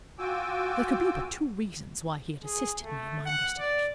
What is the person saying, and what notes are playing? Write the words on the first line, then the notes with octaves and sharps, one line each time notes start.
There could be but two reasons why he had assisted me in my investigation.
F4 F#4 G5 G#5 D6 E6
G#4
A3
F#5
D5